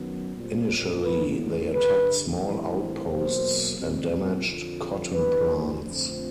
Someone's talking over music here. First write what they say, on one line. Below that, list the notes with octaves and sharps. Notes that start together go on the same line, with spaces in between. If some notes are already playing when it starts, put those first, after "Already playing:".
Initially, they attacked small outposts and damaged cotton plants.
Already playing: F#2 D#3 F#3 B3
A#2 G3 C4
A2 E3 G3 B3 B4
G2 D3 G3 B4
A2 E3 G3 C4
E2 B2 F#3 A#3 C5
A#2 G3 C4
F2 D3 F3
G2 E3 G3 B4
F2 D3 F3 A3 C4